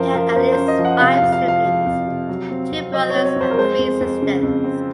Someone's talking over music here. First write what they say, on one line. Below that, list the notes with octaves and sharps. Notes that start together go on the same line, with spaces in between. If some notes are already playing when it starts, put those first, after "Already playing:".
He had at least five siblings: two brothers and three sisters.
Already playing: F#2 F3 A#4 C5
F3 A#4
A#4
F#2 C5
C5
C#4
D#5
F3
F#5
C3 F5
F5
F2
F5
F3 F5
F3
F2
C3
F#3
C4
F2
F#3 D#5
C#5
C4
C#5
F2 C5
A#4
G#3 C5
F2
F2
C#3
F2
C4